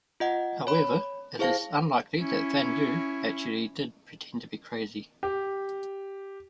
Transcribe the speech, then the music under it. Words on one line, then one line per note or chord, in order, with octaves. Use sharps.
However, it is unlikely that Van Lew actually did pretend to be crazy.
F4 D#5 F#5
C#5 B5
E4 G#4 C5 F5 A5 A#6
C#4 E4
G4